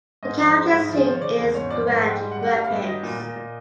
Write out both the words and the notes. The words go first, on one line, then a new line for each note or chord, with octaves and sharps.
The county seat is Grand Rapids.
G#2 D#5
F3 D5
G#3 C5
F#4
G#2 E4
D#4
F3 E4
G#4
F3 C5
C#5
C#3 D5
E2
G#2 C#5
F3 D5
G#2 F5
F#5
G#3
G5
G3
F#5
G2
F#5
G3 F5
F5
G2
E5
F#3 D#5
A#2
A#2
A#2